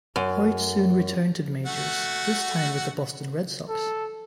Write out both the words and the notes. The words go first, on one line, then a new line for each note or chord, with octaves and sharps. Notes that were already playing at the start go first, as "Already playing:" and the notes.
Hoyt soon returned to the majors, this time with the Boston Red Sox.
F#2
A3 F#4 F#5
A4